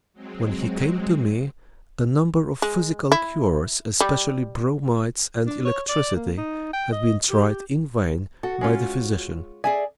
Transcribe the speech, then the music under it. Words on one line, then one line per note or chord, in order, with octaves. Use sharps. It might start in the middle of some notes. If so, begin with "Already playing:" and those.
When he came to me, a number of physical cures, especially bromides and electricity, had been tried in vain by the physician.
F#3 G#3 C4
G#3
E4
G3
D4
C#5
D5
A#3
D#4
G5
D#5
G4
F#4 A4
G#3 C#4 F4
G#4 D5 E5 G#5